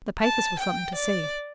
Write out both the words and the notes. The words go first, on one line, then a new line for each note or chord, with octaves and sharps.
The papers were something to see.
A5
G5
D5